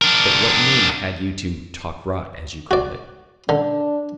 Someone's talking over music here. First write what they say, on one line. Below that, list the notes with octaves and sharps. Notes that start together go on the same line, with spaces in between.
"But what need had you to 'talk rot,' as you call it?"
D4 A#4
F#4 D5
D3 D4